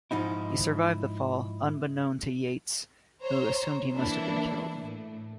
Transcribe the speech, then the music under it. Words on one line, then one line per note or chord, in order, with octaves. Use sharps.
He survived the fall, unbeknown to Yates, who assumed he must have been killed.
G#2 F3 D#4 E4
C5 C#5 A#5
E3 A#3 D4 E4
A2